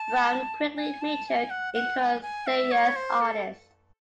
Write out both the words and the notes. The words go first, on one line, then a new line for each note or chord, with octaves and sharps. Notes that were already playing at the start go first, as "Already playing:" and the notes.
Brown quickly matured into a serious artist.
Already playing: A5
G#5
A5
A5
G#5
F#5
F#5
G#5
G#5
E5
C#5
C5
A4